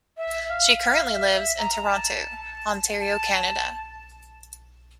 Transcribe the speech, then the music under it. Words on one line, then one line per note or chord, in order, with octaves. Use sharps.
She currently lives in Toronto, Ontario, Canada.
E5
F5
F5
E5
E5
A#5
A5
A5